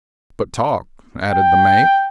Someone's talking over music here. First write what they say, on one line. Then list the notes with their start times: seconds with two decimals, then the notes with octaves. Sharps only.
"But talk," added the mate.
1.28 G5